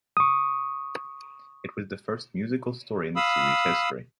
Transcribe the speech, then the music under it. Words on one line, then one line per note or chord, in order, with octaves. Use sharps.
It is the first musical story in the series' history.
C#6 D#6
F5 B5 D#6 E6